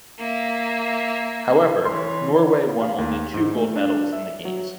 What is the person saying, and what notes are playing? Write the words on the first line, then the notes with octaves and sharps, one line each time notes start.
However, Norway won only two gold medals in the games.
A#3 E5
E3 C#5 C6
F5
D#2
G#2
A3
D4
E5
F#3